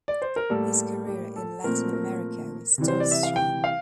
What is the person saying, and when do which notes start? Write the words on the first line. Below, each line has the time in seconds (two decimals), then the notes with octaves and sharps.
His career in Latin America was still strong.
0.08 D5
0.22 C5
0.36 A#4
0.50 A2 G3 A#3 A4
1.07 G4
1.36 A4
1.64 A#2 F3 A3 C4 A#4
1.93 A#4
2.78 C3 E3 G3
2.88 C5
3.00 D5
3.11 E5
3.23 F5
3.36 G5
3.64 F5